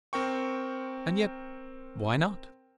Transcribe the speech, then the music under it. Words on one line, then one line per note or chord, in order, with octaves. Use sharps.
And yet--why not?
C4 A#4 G5 C#6